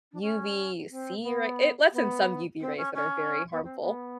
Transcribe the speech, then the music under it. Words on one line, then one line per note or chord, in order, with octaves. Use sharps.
UVC ray it lets in some UV rays that are very harmful,
D4
C#4
C4
B3
B3
C4
C#4
C#4
B3
C4
B3